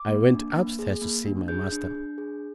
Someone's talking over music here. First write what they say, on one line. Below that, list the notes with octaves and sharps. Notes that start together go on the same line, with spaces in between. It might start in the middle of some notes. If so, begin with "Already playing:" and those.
I went upstairs to see my master.
Already playing: D6
A#3
D4
A#3
G#4
A#3
D4
G#4 G6
D4
D4
G#4